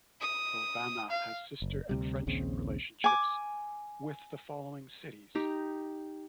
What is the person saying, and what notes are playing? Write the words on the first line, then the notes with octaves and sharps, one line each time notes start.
Obama has sister and friendship relationships with the following cities.
D#6
F5
F#1
D2 C3 G3
A#1 D#2 C#3 C4
G#5 D6
D#4 G4